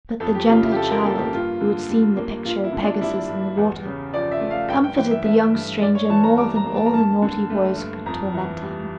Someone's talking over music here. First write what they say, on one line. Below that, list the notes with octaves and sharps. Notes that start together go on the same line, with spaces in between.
But the gentle child, who had seen the picture of Pegasus in the water, comforted the young stranger more than all the naughty boys could torment him.
F2 A4
G4
C#3 F4
E4
G4
F3 A4
A#4
A#3 A4
G4
G2 F4
D3
G3
A#3
G2 F4
E4
D3
D4
G3 E4
G2
E2
C#3
F3 D5
E5
A3
F5
G2 G5
G5
E3 G5
E5
A3 E5
G2
G2 D5
C#5
E3 A5
A#5
G3 D6
A#5
A#3
A5
A#5
G2 A5
D3
A3
G2
F2 A#5
E3
G3